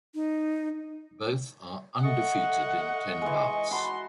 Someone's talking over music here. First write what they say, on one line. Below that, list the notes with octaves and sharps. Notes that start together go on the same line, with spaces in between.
Both are undefeated in ten bouts.
D#4
A4 D#5 E5 F#5 C#6
E3 G#3 G#5
F#4 F#5 A5 B5 C6